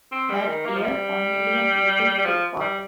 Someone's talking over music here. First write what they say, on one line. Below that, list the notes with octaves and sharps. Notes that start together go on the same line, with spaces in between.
That year one million people took part.
C4
G3
D#3
A#3
F3
G3
G3
F3
G3